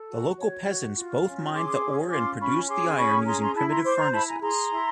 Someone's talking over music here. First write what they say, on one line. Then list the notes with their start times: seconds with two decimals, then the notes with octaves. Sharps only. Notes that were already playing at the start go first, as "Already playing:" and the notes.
The local peasants both mined the ore and produced the iron using primitive furnaces.
Already playing: A4
0.09 F#4
0.38 C#5
0.67 F#4
0.96 F4
1.24 C#4
1.54 G#4 C6 D6
1.83 C#4
2.11 F4 C6 D6
2.40 C#4 B5 C#6
2.68 G#4 C6 D6
2.89 C6
2.97 C#4 B5 C#6
3.26 G#4 A#5 C6
3.41 A#5 C6
3.55 E4 A5 B5
3.69 A#5 C6
3.84 C5 C6 D6
3.98 A#5 C6
4.12 E4 A5 B5
4.27 G#5 A#5
4.41 G#4 A#5 C6
4.70 E4